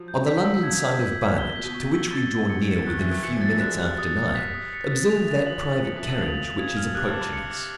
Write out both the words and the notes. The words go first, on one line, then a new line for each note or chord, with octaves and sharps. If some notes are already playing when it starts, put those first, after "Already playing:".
On the London side of Barnet, to which we draw near within a few minutes after nine, observe that private carriage which is approaching us.
Already playing: F3 F#3
G6
B6
E6
C#3
D3 G#6
B6
B6
B6
G7
B2
A#2 B6
B2
C#6
E6
B2 A6
A6
C3 C#7
C#7
D#3 F#6
E3
F#6
D#3
E3 C#7
F3
A6
F#3
G#3
G3 F#6
F#6
D#6
D#6
B6
D#6
C#7
A6
G#3 F7
E3
A6
F#3
F3 F#7
A6
F3 C#7
E3
D3 F#7
C#3 F7
F7
C#3 G#6
F6
C3 F#6
G2
D6
G2
C#7
D6